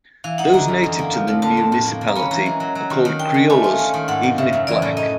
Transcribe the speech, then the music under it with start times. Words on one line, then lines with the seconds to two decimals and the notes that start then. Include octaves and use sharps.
Those native to the municipality are called criollos even if black.
0.24 E3 F5
0.38 D#4 F#5
0.54 D3 A#5
0.68 F#2
0.84 E2
0.99 A#3
1.13 F3
1.28 F2
1.42 D3 A5
1.57 C4
1.72 A2
1.87 A#3
2.01 A#3
2.08 A#5
2.16 C#4 B5
2.31 E3 A#5
2.46 G#3
2.60 F#3
2.75 F#3
2.90 D#3
3.05 D#3
3.19 D4 G5
3.34 G#3
3.50 A3 G#5
3.64 F4
3.79 C#4
3.94 D#3
4.08 G#2 F#5
4.23 A#3
4.38 C#3 E5
4.53 F#2
4.67 E3 D5
4.82 A2
4.97 D#4 D#5